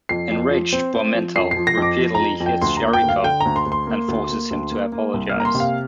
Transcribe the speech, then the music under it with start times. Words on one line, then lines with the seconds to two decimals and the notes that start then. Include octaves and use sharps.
Enraged, Bormenthal repeatedly hits Sharikov and forces him to apologize.
0.09 F2 C7
0.31 F2
0.51 F3
0.73 C4
0.94 C4
1.14 F3
1.36 F2 C7
1.51 C7
1.56 F3
1.67 A#6
1.77 F2 D6
1.98 F3
2.15 F2 A#5
2.40 F2
2.46 G5
2.62 D2 C6
2.77 A#5
2.82 A#3
2.93 G5
3.03 D2
3.09 F5
3.24 D3 G5
3.40 D2 A#5
3.56 C6
3.66 D2
3.72 C6
3.87 A#3
4.08 D2
4.30 A#3
4.51 D2
4.72 A#3
4.92 A#3
5.14 C2
5.29 A#3 F6
5.40 A#5
5.45 C6
5.55 C3
5.60 F5